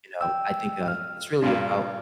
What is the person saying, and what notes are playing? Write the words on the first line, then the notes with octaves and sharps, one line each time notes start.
uh, you know, I think, uh, it's really about,
G5 E6
F6
G2 A#2